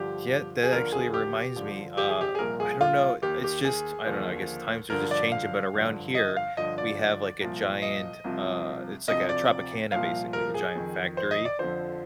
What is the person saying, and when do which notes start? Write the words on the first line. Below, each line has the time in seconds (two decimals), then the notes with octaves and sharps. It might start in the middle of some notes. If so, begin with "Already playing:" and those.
Yeah, that actually reminds me, uh, I don't know, it's just I don't know, I guess times are just changing, but around here, we have, like, a giant, uh it's like a Tropicana, basically, a giant factory,
Already playing: G2 D3 F3 G4
0.63 G#4
0.72 D#2 D3 F3 A#4
0.92 G#4
1.14 G4
1.56 G2 D3 F3
1.97 G4
2.09 G#4
2.21 G4
2.35 G#4
2.39 C2 A#2 F3 A#4
2.60 G#4
2.81 F4
3.22 D#2 D#3 G4
3.44 G4
3.65 G#4
4.06 D#2 D3 F3
4.90 G2 D3 F3 A#4
5.11 D5
5.32 F5
5.74 G2 D3 F3
6.15 D#5
6.37 F5
6.57 G2 D3 F3 D#5
6.78 D5
7.41 C2 A#2 F3
7.82 D#5
8.24 C2 C3 F3
9.08 D2 C3 F3 D#5
9.29 D5
9.92 C2 A#2 F3 F5
10.33 A#4
10.54 G#4
10.75 F2 D#3
11.17 C5
11.31 D#5
11.45 D5
11.59 F2 D3 F3 C5